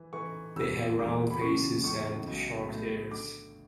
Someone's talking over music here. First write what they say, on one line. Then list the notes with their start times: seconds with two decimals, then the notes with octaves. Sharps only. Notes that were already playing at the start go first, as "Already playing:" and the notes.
They have round faces and short ears.
Already playing: E3
0.13 E3 C#6
0.56 E1 E6
0.99 E1 D6
1.30 B5
1.41 C#3 C#6
1.84 C#2 C#6
2.27 B1
2.69 A2
3.11 D3 D6